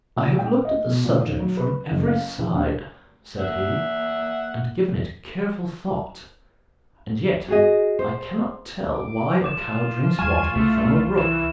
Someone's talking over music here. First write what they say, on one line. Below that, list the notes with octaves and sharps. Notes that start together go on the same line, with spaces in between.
"I have looked at the subject from every side," said he, "and given it careful thought, and yet I cannot tell why a cow drinks water from a brook."
A#2
G5
D#5
B2
A#2
D#3
F#3
B4
F#1
F5
A#1
D4
A#3 E5 F#5
F#4 G#4 D#5
C5
D6
F4 D6 E7
E2 G3 G#5 C#6 F6 E7
C2 A3
E3 E7